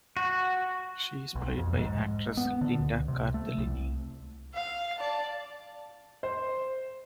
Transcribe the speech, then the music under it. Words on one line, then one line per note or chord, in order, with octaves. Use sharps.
She is played by actress Linda Cardellini.
F#4
B1
F2
G#2
B3
D3
C#2
C3
A3
C2
F5
D5 A5
C5